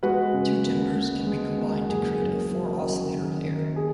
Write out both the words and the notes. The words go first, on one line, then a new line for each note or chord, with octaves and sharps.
Two timbres can be combined to create a four-oscillator "layer".
G#3 F#4 B4
C#3
D#2
G#3
G#3
D#2
F#1 G#4
F#2
F#3
F#3
D#3
D#3
G#4